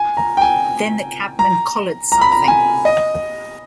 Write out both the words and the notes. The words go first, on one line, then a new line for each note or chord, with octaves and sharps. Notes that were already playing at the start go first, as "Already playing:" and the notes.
Then the cabman collared something.
Already playing: G#5
A#5
G5
G#5
A#5
A#5
B5
A#5
G#5
D#5